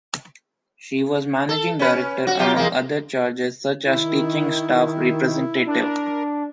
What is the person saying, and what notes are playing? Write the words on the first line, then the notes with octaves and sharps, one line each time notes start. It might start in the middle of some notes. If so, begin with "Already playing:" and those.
She was managing director, among other charges, such as teaching staff representative.
A4
C#4 B4
F#4
F#3 F4 G4
E2 G#3 A#3
D#3 E4
D4 A#4